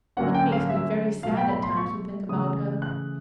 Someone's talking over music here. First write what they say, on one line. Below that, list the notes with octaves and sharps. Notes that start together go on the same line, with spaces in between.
It makes me very sad at times to think about her.
D3 F#3 A#3 C#4 F#5
G5
F5
E5
B2 F#3 A3 F5
G5
B5
C6
C#6
C#3 E3 A3 D#6
F#6